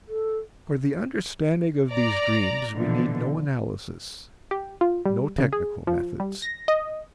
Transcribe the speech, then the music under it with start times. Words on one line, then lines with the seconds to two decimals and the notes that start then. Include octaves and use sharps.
For the understanding of these dreams we need no analysis, no technical methods.
0.08 A4
1.93 D5 A#5
2.74 B2 D3 E3 F3
4.51 G4
4.81 F4
5.06 G3
5.38 C#3
5.53 G#4
5.87 F3
6.20 G3
6.42 A#6
6.68 D#5